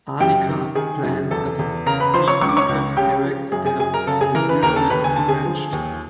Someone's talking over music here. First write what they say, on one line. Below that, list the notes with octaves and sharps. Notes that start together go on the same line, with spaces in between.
"Arnica" plants have a deep-rooted, erect stem that is usually unbranched.
F#2 G4 G5
D#3
D#3 G#4 G#5
F#2
E2 A4 A5
E2
C#3 A#4 A#5
B4 B5
F3 C5 C6
C#5 C#6
C#2 C#6
D6
C#5 C#6
C#2
C#3 G4 G5
F3
F#2 G#4 G#5
G#4 G#5
F#2 G#4 G#5
A#4 A#5
C#3 A4 A5
G#4 G#5
E3 A#4 A#5
B4 B5
D#2 A#4 A#5
A4 A5
D#2 B4 B5
G#5
D3 A5
G#4 G#5
F3
D#2